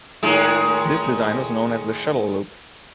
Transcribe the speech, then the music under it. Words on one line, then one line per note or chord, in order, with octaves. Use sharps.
This design was known as the Shuttle Loop.
A2 D#3 G#3